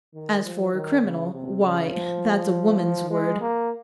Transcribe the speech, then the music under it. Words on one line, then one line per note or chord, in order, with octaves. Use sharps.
As for criminal--why, that's a woman's word.
D#3
F3
D#3
C#3
C3
C#3
F3
G#3
A#3